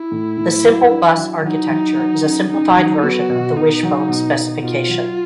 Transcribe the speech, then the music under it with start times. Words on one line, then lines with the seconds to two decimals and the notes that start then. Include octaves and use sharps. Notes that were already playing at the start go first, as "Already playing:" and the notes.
The Simple Bus Architecture is a simplified version of the Wishbone specification.
Already playing: E4
0.12 A2
0.38 A2
0.64 F#3
0.90 D4
1.17 F#3
1.44 F#3 D#4
1.70 F#3
1.97 F#3
2.23 C#3
2.49 C#3 D#4
2.77 F#3
3.03 B3 F#4
3.30 B2
3.56 B2 D#4
3.83 F#3
4.09 B2
4.36 B2
4.62 B2 F4
4.89 F#3